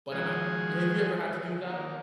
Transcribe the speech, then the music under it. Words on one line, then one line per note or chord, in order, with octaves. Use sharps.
but I'm out." Have you ever had to do that?
D#3 F3 G#3 F#4 G#4
D#3 A#3